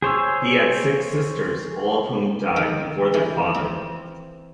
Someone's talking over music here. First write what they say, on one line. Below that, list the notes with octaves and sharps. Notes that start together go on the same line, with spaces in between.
He had six sisters, all of whom died before their father.
G#4 C5 C#5 E6
D#3
E3
C4